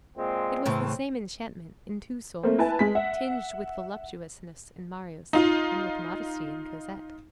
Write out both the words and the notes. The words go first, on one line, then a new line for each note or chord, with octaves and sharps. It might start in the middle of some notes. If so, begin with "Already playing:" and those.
It was the same enchantment in two souls, tinged with voluptuousness in Marius, and with modesty in Cosette.
A#2 G#3 C4
A2 C#3 E3 C4
A3 A#3 C4
E4 B4 G#5 A5
G#3 B6
E5 F#5
D#4 F4